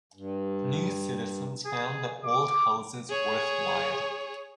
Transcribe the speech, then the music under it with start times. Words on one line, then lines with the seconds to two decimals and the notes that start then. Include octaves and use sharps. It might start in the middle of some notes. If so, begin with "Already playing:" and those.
New citizens found the old houses worthwhile.
0.15 G2
1.66 G#4
2.25 D6
3.10 G#4 C#5